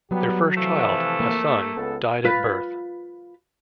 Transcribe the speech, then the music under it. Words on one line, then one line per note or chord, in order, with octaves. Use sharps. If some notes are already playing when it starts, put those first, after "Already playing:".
Their first child, a son, died at birth.
F#3 G3 B3 G4
C3 E3 F3 A3
A#3
C#2 B3 A4
F4 B4